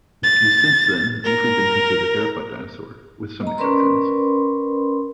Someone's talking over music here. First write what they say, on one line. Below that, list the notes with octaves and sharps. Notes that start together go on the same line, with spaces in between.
It has since then usually been considered a theropod dinosaur, with some exceptions.
A6
A#4
D#5 A#5
C#4 A#4 B4 D5 B5 C6